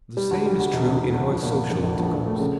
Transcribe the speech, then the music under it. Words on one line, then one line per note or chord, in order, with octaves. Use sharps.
The same is true in our social intercourse.
G3
D2
G3
D2
E1
D2
E1
D2
F3
A#2
A#2
A#1
A#1
F3
A#1
A3
C#3